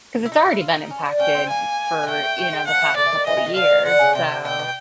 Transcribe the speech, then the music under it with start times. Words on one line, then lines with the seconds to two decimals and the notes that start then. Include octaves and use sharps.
'cause it's already been impacted for, you know, the past couple years, so,
0.25 E4
0.32 D#4
0.46 E4
0.61 F4
0.76 D#4
0.90 C#4
1.05 D4
1.20 C#4 G5
1.35 C4
1.49 A#3 G#5
2.03 G#3
2.08 A3 G5
2.23 A3
2.38 A3
2.52 G#3
2.67 F3 F#5
2.82 E3
2.97 D3 D5
3.06 E3
3.12 D#3
3.26 E3 D#5
3.37 E3
3.46 D#3
3.55 D3 F5
3.71 D#3
3.85 D3 F#5
4.01 C#3
4.15 C3 G5
4.44 B2 G5
4.59 B2